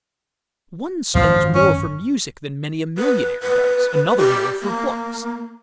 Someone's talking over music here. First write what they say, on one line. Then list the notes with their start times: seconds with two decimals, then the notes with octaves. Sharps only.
One spends more for music than many a millionaire does; another more for books.
1.15 G#1 F#2 F3 F#3
1.55 C#4
2.98 B4
3.42 B4
4.18 G4
4.63 A#3